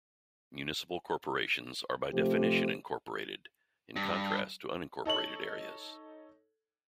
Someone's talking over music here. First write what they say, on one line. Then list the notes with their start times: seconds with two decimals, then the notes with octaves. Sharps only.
Municipal corporations are by definition incorporated, in contrast to unincorporated areas.
2.13 C3 F3 A3 G4 C5
3.96 G2
5.06 D#4 A4 C#5 F#7